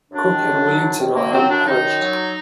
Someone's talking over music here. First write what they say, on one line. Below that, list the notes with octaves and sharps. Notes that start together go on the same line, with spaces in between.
Crook and Willington are unparished.
F#2 D4
D#3
F#2
F#3
F#2
D#3
F#2 A#3
F#3 C4
F#2 D4
D#3 D#4
F#2
F#3